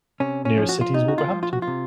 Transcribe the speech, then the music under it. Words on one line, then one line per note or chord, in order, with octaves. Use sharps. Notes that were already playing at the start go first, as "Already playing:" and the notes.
The nearest city is Wolverhampton.
C3 C#4
C#4
F3
F#4
F4
C3 D#4
F#4
F4
F3
F4
F#4
F4
C3